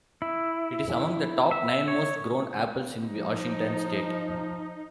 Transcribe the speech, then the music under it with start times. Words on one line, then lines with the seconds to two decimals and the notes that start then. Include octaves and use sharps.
It is among the top nine most grown apples in Washington state.
0.22 E4
1.51 E5
1.88 C#5
3.06 F3 D#4